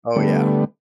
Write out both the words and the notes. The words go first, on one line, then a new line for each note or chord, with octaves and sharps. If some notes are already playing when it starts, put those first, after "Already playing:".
Oh, yeah.
D3 G3 A3 B3